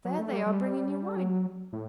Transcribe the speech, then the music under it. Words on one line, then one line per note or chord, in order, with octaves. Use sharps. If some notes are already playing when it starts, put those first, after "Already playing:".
There they are bringing new wine.
F#3
A3
G3
G3
F#3
A2